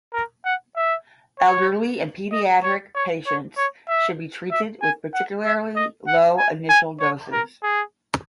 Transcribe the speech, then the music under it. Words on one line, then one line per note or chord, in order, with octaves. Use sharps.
Elderly and pediatric patients should be treated with particular low initial doses.
A#4
F#5
E5
C#5
D#5
C#5
C#5
C#5
C#5
E5
E5
G#5
F#5
E5
D#5
F#5
G#5
G#5
C#5
A#4
G#4